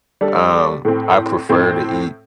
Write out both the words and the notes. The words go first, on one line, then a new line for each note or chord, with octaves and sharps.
Um, I prefer to eat
G3 D4 A4
A2 A3 C4
A2 A3 C4